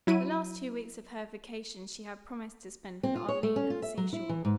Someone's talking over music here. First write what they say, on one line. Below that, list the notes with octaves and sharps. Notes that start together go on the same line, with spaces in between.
The last two weeks of her vacation she had promised to spend with Arline at the sea-shore.
F#3 E4 D#7
C4
F4
C#5
A3
C#4
F4
E5
F#3
E4
E3
G#2